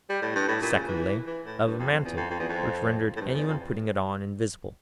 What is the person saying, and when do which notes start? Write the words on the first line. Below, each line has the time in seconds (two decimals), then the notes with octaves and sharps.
Secondly, of a mantle which rendered any one putting it on invisible.
0.09 G3
0.22 A2
0.36 G2
0.48 A2
0.62 A#2
0.74 C#3
0.88 E3
1.27 E3
1.46 A2
1.66 G2
1.79 F2
1.92 F2
2.05 E2
2.17 F2
2.30 F2
2.40 E2
2.49 F2
3.16 A2
3.21 G2
3.29 F2
3.34 E2
3.47 F2